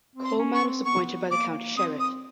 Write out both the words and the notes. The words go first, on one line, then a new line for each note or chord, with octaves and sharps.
Coleman was appointed by the county sheriff.
C4
C6
C#4
C#6
C4
B3 C#6
A#3 D6
C4 D#6
D#6